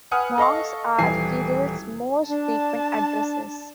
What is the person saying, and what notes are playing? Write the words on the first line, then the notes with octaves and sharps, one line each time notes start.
Monks are Kirill's most frequent addressees.
B4 F#5 G#5 D#6 F6
A4 D#5 F5 C#6
D#1 E3 G#5 C7
D4 A5